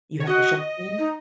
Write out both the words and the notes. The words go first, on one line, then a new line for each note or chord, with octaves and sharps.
you have the shotguns?
C#5
F#4 D#5
D#4